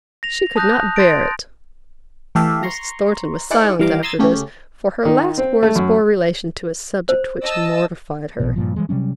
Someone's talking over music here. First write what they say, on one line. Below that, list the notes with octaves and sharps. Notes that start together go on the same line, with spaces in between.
She could not bear it.' Mrs. Thornton was silent after this; for her last words bore relation to a subject which mortified her.
A#6 F7
A5 D#6 F#6 G6 A#6
C6 A6 A#6 D7
E3 A3 G4 A4 E5 F5
A#5 C6 C#6
D#4 E4 G#4 C5 D5 F#5
E3 G3 F5 A#5 D6
A#5 C6 D#6 E6 G#6 A6
C#3 A3 C#4 G4
D#3
C4
A3
F#2
C5
D#5 A5 E6
A#1 B2
G2 A#2 F3
E3 G3 G#3
C3 F#3 G3 C#4